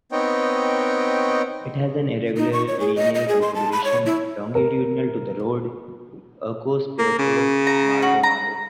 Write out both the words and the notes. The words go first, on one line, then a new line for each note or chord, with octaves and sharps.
It has an irregular lineal configuration, longitudinal to the road, Urcos Puerto Maldonado.
B3 C4 D#4 C#5 D#5 G5
D#4
C#6
C#5
G#4
D#5
D#5
G#4
C6
A5
B5
C#5
E4
A#4
A#3
C#3
A#5
F#4
A#5